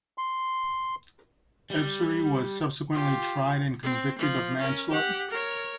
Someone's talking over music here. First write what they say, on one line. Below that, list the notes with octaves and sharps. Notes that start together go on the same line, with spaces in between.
Ebsary was subsequently tried and convicted of manslaughter.
C6
G3
F4 G4
C4
F3
C#4 A#4
G4 F#5
A#4 C#5